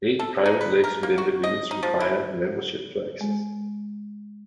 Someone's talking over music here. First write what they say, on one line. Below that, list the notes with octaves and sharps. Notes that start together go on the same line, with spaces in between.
Eight private lakes within the Village require a membership to access.
A4
D#4
B4
A#4
A#3
F#4
D#5
D#4
F3
E4
G#3